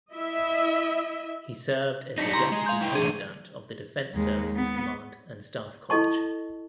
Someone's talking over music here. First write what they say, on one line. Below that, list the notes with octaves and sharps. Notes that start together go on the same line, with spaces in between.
He served as the Deputy Commandant of the Defence Services Command and Staff College.
E4 D#5 E5
F#3 D4 D#4 A#6 B6 C#7
D3 E4 G4 A#5 C6
G#3
F5 C6 G6
E4 B4 G5
E3 A3 D4 G#4
D#2 G#3
B3
E4 A4 D#5 A5 C#6